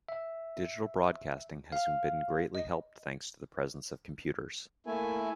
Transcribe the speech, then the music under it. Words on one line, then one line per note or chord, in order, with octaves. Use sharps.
Digital broadcasting has been helped greatly thanks to the presence of computers.
E5
F5
D#5
A3 A#3 E4 G#5